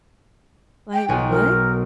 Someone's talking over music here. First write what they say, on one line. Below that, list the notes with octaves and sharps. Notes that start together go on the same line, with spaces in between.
like, what?"
G5
B1 B2 G#5
A#4